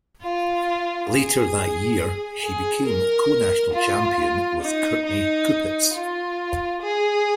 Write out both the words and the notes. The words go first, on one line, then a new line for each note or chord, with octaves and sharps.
Later that year, she became co-national champion with Courtney Kupets.
F4
G#4
G#4
A#4
F4
D#4
D#4
F4
G#4